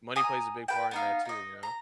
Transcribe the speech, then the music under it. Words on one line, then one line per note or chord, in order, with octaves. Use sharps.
money plays a big part in that too, you know?
G#5 A#5 D#6 F#6
B4 G5
B3 D#4 F5
D#4 D#5
A#5